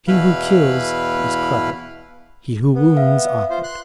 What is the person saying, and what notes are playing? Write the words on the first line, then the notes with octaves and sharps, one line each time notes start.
He who kills is clever, he who wounds awkward.
E2 B2 E4 B4 F5 B5
B3
E5 F5
F4 C5
C6 F#6